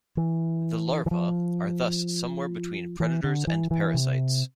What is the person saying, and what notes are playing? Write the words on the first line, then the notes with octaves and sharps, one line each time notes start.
The larvae are thus somewhere between predators and parasites.
E3
E3
F3
E3
D3
E3
E3
C3